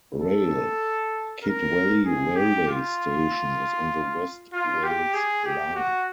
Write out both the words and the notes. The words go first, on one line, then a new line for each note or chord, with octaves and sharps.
Rail - Kidwelly railway station is on the West Wales Line.
A4
A#4
G#4
G4
F4
F4
G4
G#4
G4
F#4